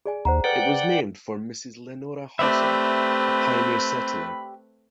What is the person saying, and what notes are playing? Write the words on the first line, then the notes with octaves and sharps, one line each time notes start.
It was named for Mrs. Lenora Hauser, a pioneer settler.
G#4 D5 G#5
D#2 C5 F#5 A#5
A4 B4 D5 F#5 G5
A3 C4 G4 B4 D5 E5 B5